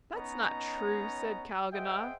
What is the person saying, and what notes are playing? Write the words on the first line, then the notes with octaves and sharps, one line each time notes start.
"That's not true," said Kalganov.
B3 C#4 D#4 C#5 D#5 A#5
G#4 C5 D#5 E5 F#5 G5